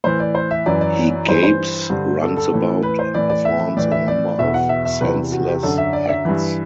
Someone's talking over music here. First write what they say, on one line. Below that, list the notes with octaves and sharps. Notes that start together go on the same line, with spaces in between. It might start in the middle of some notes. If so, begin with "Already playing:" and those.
He gapes, runs about, and performs a number of senseless acts.
A2 E3 C5
D5
C5
E5
F#2 E3 D5
D5
G2 E3 C5
C5
G2 D3
A4
A4
A2 E3
B4
C5
A2 E3 D5
D5
E5
A2 E3 D5
E5
D5
E2 B2 E5
F#5
E5
E5
E2 C3 E3 B4
F#4
G4
F#2 D3 A4
E5
D5
E5
G2 E3